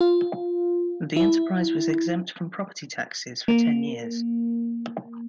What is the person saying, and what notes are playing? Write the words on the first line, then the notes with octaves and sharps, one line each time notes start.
The enterprise was exempt from property taxes for ten years.
F4
E4
A#3